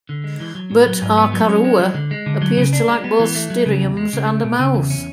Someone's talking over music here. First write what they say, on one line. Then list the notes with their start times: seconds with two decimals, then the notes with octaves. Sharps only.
But "Arkarua" appears to lack both stereoms and a mouth.
0.09 D3
0.24 G#3
0.40 E3
0.55 F#3
0.71 A2
0.86 F#3
1.02 G#2
1.17 B3
1.33 F#3
1.49 C#4
1.64 G#3
1.79 F#3
1.94 D3
2.11 G#3
2.26 D3
2.42 F#3
2.57 C#3
2.73 D4
2.88 G#3
3.04 B3
3.19 E3
3.35 A3
3.50 F#3
3.66 C#3
3.82 E2
3.97 G#3
4.13 C#3
4.27 A3
4.44 B2
4.59 C#3
4.74 E2
4.90 C#4